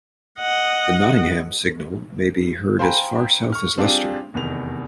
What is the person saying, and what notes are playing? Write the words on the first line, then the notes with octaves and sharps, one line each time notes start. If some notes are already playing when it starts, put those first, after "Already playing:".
The Nottingham signal may be heard as far south as Leicester.
D#5 F#5
C5 F5 G5 G#5 A#5 B5
C#6 F6
G3 C4 D4 F4 G4 G#4
F1 E2 D#3 F7